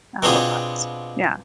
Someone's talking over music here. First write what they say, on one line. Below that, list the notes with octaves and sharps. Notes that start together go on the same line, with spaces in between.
a loe plants, yeah.
B2 B3 C4 D4 F4 G#4